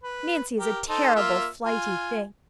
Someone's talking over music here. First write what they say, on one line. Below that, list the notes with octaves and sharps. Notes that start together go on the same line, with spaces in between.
Nancy is a terrible flighty thing.
B4
G4 A#4
D#4 A4 C5
A#3 F4 E5
F4 G#5